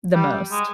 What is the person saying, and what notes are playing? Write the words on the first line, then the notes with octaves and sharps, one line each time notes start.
the most.
G3
G#3